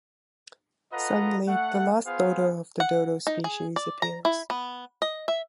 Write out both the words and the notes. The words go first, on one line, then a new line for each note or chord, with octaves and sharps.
Suddenly, the last dodo of the dodo species appears.
F4 A4 B4 D#5 F#5 A#5
A3 F#5
B3 F4 G#4 C5 F5
F#5
D#4
G#4
D5
A#5
E4
B3
D#5
E5